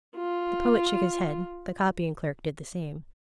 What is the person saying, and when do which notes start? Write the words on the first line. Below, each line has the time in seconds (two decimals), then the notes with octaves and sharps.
The poet shook his head, the copying-clerk did the same.
0.16 F4